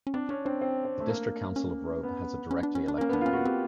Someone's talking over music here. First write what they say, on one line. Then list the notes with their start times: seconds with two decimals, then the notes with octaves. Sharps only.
The District Council of Robe has a directly-elected mayor.
0.07 C#4
0.14 C4 D4
0.29 C#4 D4
0.45 C4 D4
0.61 C4
0.85 C4
1.00 A3
1.09 A#3
1.56 C#4
2.03 B3
2.51 C#4
2.63 D4
2.75 C#4
2.88 D4
2.98 A#3
3.01 C#4
3.09 B3
3.13 D4
3.21 F4
3.26 C#4
3.33 F#4
3.45 C4 G4